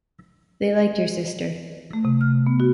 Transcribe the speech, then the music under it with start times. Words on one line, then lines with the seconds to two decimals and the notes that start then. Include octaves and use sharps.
They liked your sister.
1.93 A3
2.05 C3
2.21 F6
2.47 B3
2.60 F#4